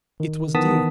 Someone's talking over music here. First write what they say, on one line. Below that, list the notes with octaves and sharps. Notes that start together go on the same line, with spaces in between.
It was Dea.
D#3
D#3 E3 B3 A5 D#6 B6